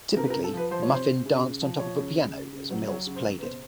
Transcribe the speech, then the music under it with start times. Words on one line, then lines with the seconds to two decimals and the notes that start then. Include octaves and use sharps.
Typically, Muffin danced on top of a piano as Mills played it.
0.17 C3 A#4
0.26 B4
0.30 A#4
0.35 C3
0.44 A4
0.53 F3 B4
0.71 F3 C5
0.82 C#5
0.89 C3
0.94 C5
1.07 C3
1.25 C#3
1.43 C#3
1.61 F3
1.79 F3 C#5
1.97 C#3
2.16 C#3
2.34 C#3
2.52 C#3
2.70 F#3
2.88 F#3 C#5
3.06 C#3
3.15 C5
3.24 C#3
3.38 B4
3.42 B2 C5